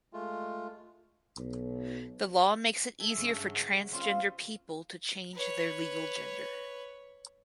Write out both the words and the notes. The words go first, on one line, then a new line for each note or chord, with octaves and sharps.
The law makes it easier for transgender people to change their legal gender.
G#3 A3 F4
B1
A4 E5 G5 G#5
G2 C#3 G#3
F#3
G3 A#3 C4 C#4 F4
B4 C#5